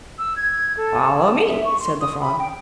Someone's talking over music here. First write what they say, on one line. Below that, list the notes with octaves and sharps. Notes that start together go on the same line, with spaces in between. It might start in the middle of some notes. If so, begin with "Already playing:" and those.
"Follow me," said the frog.
E6
G#6
A4
A5
E5
C#6
C6
D#6
B5
G5